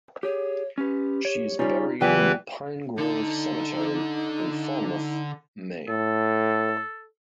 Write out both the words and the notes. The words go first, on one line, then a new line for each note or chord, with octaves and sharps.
She is buried in the Pine Grove Cemetery, in Falmouth, Maine.
G4 G#4 C#5
C#4 G4 B4
C#5
G3 C#4 D#4 F4 D5
E2 C#3 E3 F#3 F4 G4 B4 G5
D3 D#4 A4
A2 A4